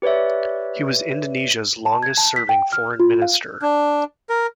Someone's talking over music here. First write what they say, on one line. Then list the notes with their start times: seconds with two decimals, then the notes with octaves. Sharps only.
He was Indonesia's longest serving foreign minister.
0.02 G4 B4 C#5 D5 E5
1.86 A5
2.03 G#6
2.17 A5
2.36 B6
2.49 G5
2.73 F6
3.00 F4
3.22 F5
3.62 D4
4.29 A#4